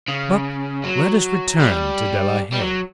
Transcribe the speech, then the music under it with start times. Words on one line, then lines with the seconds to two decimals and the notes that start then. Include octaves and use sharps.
But let us return to De la Haye.
0.09 C#3
0.84 F#3
1.60 G3
2.52 G3
2.60 F#3